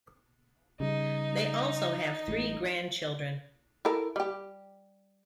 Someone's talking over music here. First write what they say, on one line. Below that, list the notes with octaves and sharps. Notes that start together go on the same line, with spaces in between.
They also have three grandchildren.
C#3 G3 D#4
A1 A2
E4 A4 A#4
G3 G4